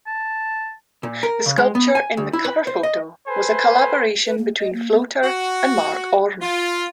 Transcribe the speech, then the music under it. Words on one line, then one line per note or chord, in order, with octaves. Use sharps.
The sculpture in the cover photo was a collaboration between Floater and Mark Orme.
A5
A#2
A#4
C#3
G#3
B3
G#5
D2
E4
B4
C5
D#5
A4 B4 C5 G#5
B4
A#3
D#5
A#3
B3
F#4
F4